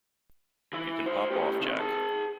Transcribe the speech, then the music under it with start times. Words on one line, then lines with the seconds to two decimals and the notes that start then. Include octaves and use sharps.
You can pop off, Jack.
0.73 E3 E4
1.06 F#4 C5
1.30 A2 G4
1.60 C3 D#3
1.79 G#4 A5